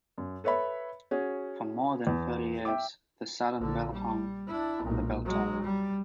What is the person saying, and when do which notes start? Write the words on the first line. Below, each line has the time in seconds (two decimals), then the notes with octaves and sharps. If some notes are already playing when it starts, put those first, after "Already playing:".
For more than thirty years, the silent bell hung on the bell tower.
0.18 F#2
0.44 A4 B4 C#5 E5 B5
1.11 C#4 F#4 G#4
2.07 E2
2.65 E5 G5 D6
3.57 A#1 D3
3.91 G3
4.47 D4 E4
4.83 B1 A#2
5.25 F#3 G#3
5.62 G3